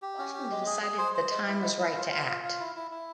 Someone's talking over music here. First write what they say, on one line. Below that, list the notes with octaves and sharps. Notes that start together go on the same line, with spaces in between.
Washington decided the time was right to act.
G4
C#4
G4
G#3
G#4
G#4
C5
C5
G#3
E4
G#3
E4
F4
F4
F4
F4
E4
E4
E4